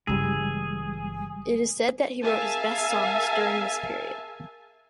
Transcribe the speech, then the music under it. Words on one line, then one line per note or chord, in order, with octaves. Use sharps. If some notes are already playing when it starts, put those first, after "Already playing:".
It is said that he wrote his best songs during this period.
G1 C#3 E3 G3 G#3 G#4 E6
G#4 A#4 E5 F5 G#5 A5